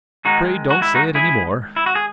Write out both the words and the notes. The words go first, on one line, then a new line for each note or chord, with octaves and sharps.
"Pray don't say it any more."
D#3 G#3 D#4 F#4
F#4
E4
D#4 F#4
E4 G#4
E4
F#4
G#4